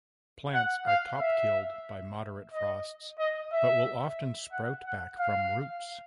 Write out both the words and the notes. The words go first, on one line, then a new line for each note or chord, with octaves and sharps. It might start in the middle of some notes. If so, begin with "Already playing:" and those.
Plants are top-killed by moderate frosts, but will often sprout back from roots.
F#5
F5
E5
D#5
D#5
E5
F#5
F#5
F5